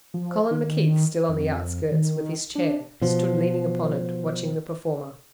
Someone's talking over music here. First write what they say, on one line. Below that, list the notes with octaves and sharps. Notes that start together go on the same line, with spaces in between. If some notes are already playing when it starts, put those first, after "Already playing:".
Colin McKeith, still on the outskirts with his chair, stood leaning upon it, watching the performer.
F3
D#3
F2
D#3
D4
B2 F3